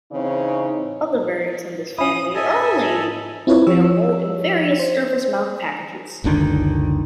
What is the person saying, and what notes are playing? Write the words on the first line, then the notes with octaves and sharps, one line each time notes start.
Other variants in this family are only available in various surface-mount packages.
C#3 E3 C4 D#4 C#5
C#4 E4 D#6
A4 D#5 E5 G#5
C4 E4 F4 B4 C#5
F3 G4 C#5 E6
C5
F#1 C#2 D3 D#3